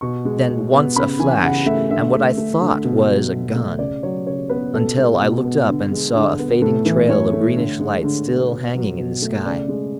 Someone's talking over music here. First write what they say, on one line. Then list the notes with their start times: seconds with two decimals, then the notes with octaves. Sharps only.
Then once a flash and what I thought was a gun, until I looked up and saw a fading trail of greenish light still hanging in the sky.
0.01 B2 C#6
0.25 G#3
0.49 B2
0.73 B3
0.95 C#3 B5
1.19 E3 G#5
1.43 C#3 F#5
1.66 A3 E5
1.91 D3 E5
2.15 A3
2.37 A3
2.61 D3
2.84 B2
3.09 F#3
3.32 B2
3.55 A3
3.79 C#3 D5
4.03 F#3 C#5
4.27 C#3 C#5
4.49 B3 B4
4.73 B2 A4
4.98 G#3
5.21 B2
5.45 B3
5.69 D3
5.92 G#3
6.15 D3
6.39 B3
6.62 A2 A4
6.85 E3
7.09 A2 C#5
7.33 A3
7.57 D3
7.81 G#3
8.04 D3
8.27 B3
8.52 B2
8.75 F#3
8.99 B2
9.22 A3
9.45 C#3 D5
9.69 G#3